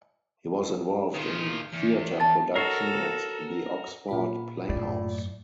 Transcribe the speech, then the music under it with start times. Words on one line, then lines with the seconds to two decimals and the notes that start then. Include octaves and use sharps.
He was involved in theatre production at the Oxford Playhouse.
1.14 D#3 F4
1.73 E2
2.20 A5 A6
2.56 F#4 A4 A#4 C#5 C7
4.08 A#2 F4 B5
4.69 F#2 A2 D5